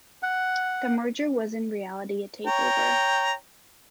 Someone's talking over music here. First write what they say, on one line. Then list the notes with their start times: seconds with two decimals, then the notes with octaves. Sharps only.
The merger was in reality, a takeover.
0.23 F#5
2.47 C#5 G5 A#5